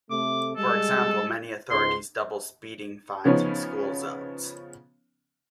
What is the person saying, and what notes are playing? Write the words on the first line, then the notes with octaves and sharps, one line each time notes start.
For example, many authorities double speeding fines in school zones.
C3 A3 D6
G3 G#3 A4
C#2 G#2 C6
C#3 F3 B3 C#4 D#4 C#5